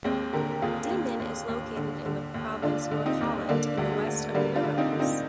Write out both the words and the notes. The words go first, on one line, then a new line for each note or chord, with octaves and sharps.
Diemen is located in the province North Holland, in the west of the Netherlands.
D#2 G#3 C4
D3 G4 A#4
D#2 F4 G#4
D#2
D#2
D#2
D3
D3
D#2
D3 D4 F4
D3
C4 D#4
D#2
D3 A#3 D4
D2
G#3
D2
D3 G3 A#3
D4 F4
D3
C4 D#4
D3
C4 D#4